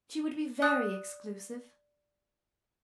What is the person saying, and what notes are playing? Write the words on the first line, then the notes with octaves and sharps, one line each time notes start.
She would be very exclusive.
D5 D#6 F#6